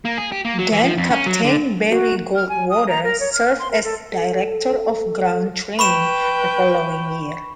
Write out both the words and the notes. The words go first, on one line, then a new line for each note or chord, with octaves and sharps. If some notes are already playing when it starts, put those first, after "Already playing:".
Then-Captain Barry Goldwater served as director of ground training the following year.
A#3
G#4
G4
A#3
F#3
E3
F3
F2
C#4
F#3
D3
F#4
F6
G#5
D#6
A#5
A#4
C#5
F6
C6
A#4
A4
A4
B4 G5 B5 C#6 E7